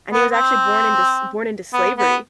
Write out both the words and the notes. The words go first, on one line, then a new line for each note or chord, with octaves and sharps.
And he was actually born into s born into slavery,
B3
C4
B3
B3